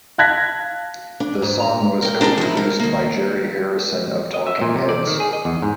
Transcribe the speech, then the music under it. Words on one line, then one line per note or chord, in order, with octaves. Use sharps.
The song was co-produced by Jerry Harrison of Talking Heads.
F5 A5 F#6 G#6 A#6 B6
D4
G#2
A#5
A#4 G5
D4 D#4 A#4 G#5
F3 E4
A#4
D#2 A#3
D#5
E5
A#2
C3
D5
D#3
G#4
D#5
E2
G#2